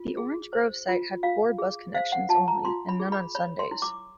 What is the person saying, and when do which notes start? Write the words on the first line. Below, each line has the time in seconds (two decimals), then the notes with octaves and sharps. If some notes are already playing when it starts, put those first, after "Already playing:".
The Orange Grove site had poor bus connections only and none on Sundays.
Already playing: F4
0.17 G#4
0.53 C5
0.89 F4
1.23 F4 F5
1.58 G#4
1.94 C5 F5
2.12 F#5
2.29 F4 A5
2.48 A#5
2.65 F4 C6
2.89 B5
3.00 G#4
3.12 B5
3.35 C#5 B5
3.59 C6
3.71 E4
3.82 D6